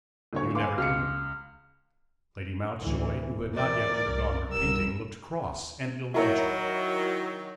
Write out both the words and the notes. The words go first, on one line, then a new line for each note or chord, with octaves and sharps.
"You never do." Lady Mountjoy, who had not yet undergone her painting, looked cross and ill-natured.
D#1 D3 C#5
B4 F5 G#5 C6 D6
C#2 F5 F6 C#7
A1 D2 E3
E3 A#4 D5
C2
C2 G3 A#4 E6
D#3 F#3 E4 A#4 C#5